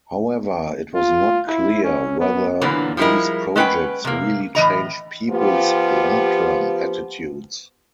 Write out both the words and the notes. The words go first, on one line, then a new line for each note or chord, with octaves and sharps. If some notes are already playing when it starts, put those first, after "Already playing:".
However, it was not clear whether these projects really changed people's long-term attitudes.
F4
E4
C#4
B3
A#2 D3 E3 F#3 A#3 B3
F3 G3 G#3 E4 A#4
G#3 C#4 B4 F#5 G5
C3 A#3
A2 E3 D#5 A#5
F3 B3 F4 G4